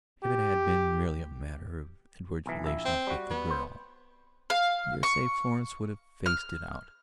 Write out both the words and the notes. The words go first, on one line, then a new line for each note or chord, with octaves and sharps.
If it had been merely a matter of Edward's relations with the girl I dare say Florence would have faced it out.
G4
B1 E3
A#1 E4
C4
G3 F#4
B3
C5
F5
C#6
F6